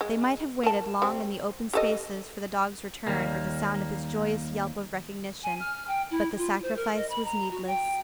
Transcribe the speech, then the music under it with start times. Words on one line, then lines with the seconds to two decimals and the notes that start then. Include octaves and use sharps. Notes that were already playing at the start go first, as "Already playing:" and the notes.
They might have waited long in the open spaces for the dog's return or the sound of his joyous yelp of recognition, but the sacrifice was needless.
0.01 G#3
0.63 A#4 A5
1.02 G3 C4
1.73 G4 A4 D#5
3.07 D#2 G3 A#3
5.43 G#5
5.60 F6
5.87 G5
6.11 E4
6.38 F4
6.63 C5
6.76 A#4
6.97 D#5
7.10 B5
7.25 A#5
7.51 F#4
7.67 G5